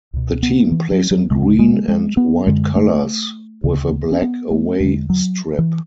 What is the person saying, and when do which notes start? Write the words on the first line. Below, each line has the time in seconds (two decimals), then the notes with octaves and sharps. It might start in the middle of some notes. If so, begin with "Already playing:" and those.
The team plays in green and white colours, with a black away strip.
0.13 C#2 B2
0.43 B3
0.72 E3
0.91 F#3
1.11 F#3
1.30 D2 C#3 G#3
1.59 G#3
1.88 G#3
2.17 B3
2.47 F#2 D3 G#3
2.76 A3
3.64 D2 C#3
4.12 C#4
4.22 B3
4.51 A3
4.80 E2 D3 G#3
5.10 F#3
5.58 E3